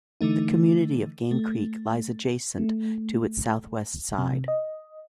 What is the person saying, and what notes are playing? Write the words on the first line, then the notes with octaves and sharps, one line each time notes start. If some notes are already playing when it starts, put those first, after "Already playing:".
The community of Game Creek lies adjacent to its southwest side.
D3 E3 A3 D#4
A3
A3
C3
D#5